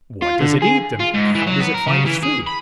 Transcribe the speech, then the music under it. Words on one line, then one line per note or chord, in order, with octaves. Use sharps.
What does it eat, and how does it find its food?
F4
D3
G#4
F4
G#2
E3
F#3
B3
A#4
C#3
E3
G#4
B5